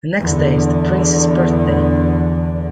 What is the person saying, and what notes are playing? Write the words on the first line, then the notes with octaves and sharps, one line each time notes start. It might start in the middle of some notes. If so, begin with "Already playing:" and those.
The next day is the princess's birthday.
E2 D3